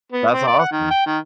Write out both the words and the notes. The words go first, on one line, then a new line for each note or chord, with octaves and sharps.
That's awesome.
B3
C4
D5
F#5
D#3
G5
D#3